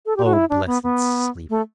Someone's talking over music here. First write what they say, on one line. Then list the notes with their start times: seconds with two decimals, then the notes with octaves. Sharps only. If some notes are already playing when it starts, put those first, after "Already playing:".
O blessed sleep!
0.06 A4
0.16 G4
0.25 F#4
0.33 E4
0.50 D4
0.66 B3
0.83 B3
1.49 A3